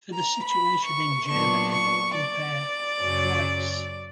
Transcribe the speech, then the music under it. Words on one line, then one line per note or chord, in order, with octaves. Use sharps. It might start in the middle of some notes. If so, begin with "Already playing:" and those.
For the situation in Germany compare "Kreise".
A#5
B5
C#6
A#2 F#3 B3 D4 C#6
C#6
D5
F#2 C#3 F#3 C#4